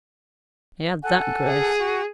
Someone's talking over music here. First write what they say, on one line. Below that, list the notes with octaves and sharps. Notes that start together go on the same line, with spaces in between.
He had that grace.
A4 F#5 G#5
G#4
F#4